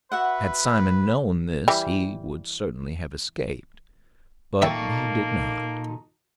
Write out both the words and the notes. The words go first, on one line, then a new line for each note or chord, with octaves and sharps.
Had Simon known this he would certainly have escaped; but he did not.
F#4 B4 E5 F#5
E3 G3
A#2 A#3 D#4 A4 E5 G5 A5 C#6